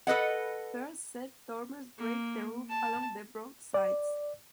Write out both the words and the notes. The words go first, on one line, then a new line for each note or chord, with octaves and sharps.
Paired shed dormers break the roof along the broad sides.
A4 B4 D#5 F#5
A#3
A5
D5